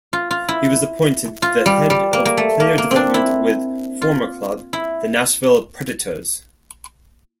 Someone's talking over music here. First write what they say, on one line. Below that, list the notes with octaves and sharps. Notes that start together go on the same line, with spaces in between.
He was appointed the Head of Player Development with former club, the Nashville Predators.
F4
F4
E4
F4
G3
G3
A#3
A#3
A3
A#3
A#3
C4 D4
E4
F4
E4